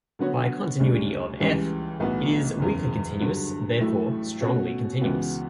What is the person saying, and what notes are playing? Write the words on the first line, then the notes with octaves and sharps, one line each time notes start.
By continuity of "f", it is weakly continuous, therefore strongly continuous.
D3 F#3 B3 F#4 C#5
D2 C#3 G3 D4
C#2 C#3 E3 G3
B1 A2 E3 B3 F#4
F#1 E2 C#3
G2 D3 F#3
A1 A2 F#3 A3 E4
B2 A3 C#4 F#4
C#2 C#3 E3 B3 F#4